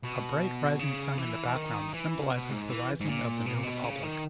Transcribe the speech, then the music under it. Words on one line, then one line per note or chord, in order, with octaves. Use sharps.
A bright rising sun in the background symbolizes the rising of the new republic.
B2
C#3
E3
D#3
E3
C#3
B2
G#2
E3
G#2
A#2
B2
A#2
B2
C#3
D#3